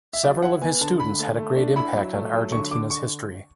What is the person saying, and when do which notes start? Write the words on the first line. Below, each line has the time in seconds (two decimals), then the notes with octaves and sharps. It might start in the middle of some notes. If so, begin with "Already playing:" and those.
Several of his students had a great impact on Argentina's history.
0.13 E5
0.23 F#3 D5
0.42 E4 F#5
0.61 B3 G#5
0.81 D3 A5
1.00 D3 B5
1.19 A3
1.38 A3
1.57 D4
1.76 E4 B5
1.95 F#3
2.14 A3
2.33 F#3
2.52 D3 C#6
2.71 D3 D6
2.90 D3 C#6